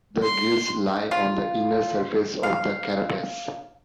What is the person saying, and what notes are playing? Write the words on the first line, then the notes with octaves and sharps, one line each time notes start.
The gills lie on the inner surface of the carapace.
C6
F4
F5